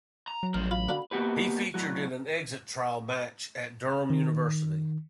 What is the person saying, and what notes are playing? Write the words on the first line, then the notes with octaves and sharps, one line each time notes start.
He featured in an exit trial match at Durham University.
A#5
F#3
A1 G2 F3 A#4
F4 B5
D3 A#3 D4 F#4
A#3 B3 F#4 G4 B4
A2 F#3 F#4
D#3